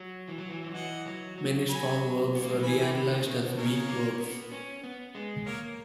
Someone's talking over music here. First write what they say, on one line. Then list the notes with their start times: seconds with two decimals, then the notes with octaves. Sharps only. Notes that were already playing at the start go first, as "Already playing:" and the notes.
Many strong verbs were reanalysed as weak verbs.
Already playing: F#3
0.28 E3
0.38 F#3
0.50 E3
0.63 F#3
0.74 E3 D#5 F#5
1.06 F#3
1.38 F#3
1.69 F#3 G#5 B5
2.35 B3
2.42 A#3
2.49 G#3
2.56 F#3
2.63 E3 G#5 B5
2.95 D#3
3.20 C#3
3.26 B2
3.57 C#3 A#4 C#5
3.89 A#3
4.20 B3
4.52 C#4
4.84 B3
5.15 G#3
5.46 A#3 A#4 C#5